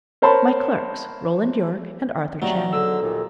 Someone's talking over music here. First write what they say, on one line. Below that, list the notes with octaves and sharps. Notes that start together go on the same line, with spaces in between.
"My clerks--Roland Yorke and Arthur Channing."
A#4 C5 C#5 A5 B5 C6
B1 F#3 G3 A3 A#5
G#2 D3 A4 E6
D#2 A#2